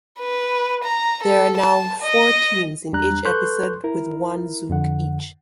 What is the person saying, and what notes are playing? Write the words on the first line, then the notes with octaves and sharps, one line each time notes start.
There are now four teams in each episode with one zook each.
B4
A#5
A4
A5
D#5
E2 G3 D4 A#5 F#6
A4 B4 C6 C#6 F#6 G6
E4 A#4
F2 D3 F#5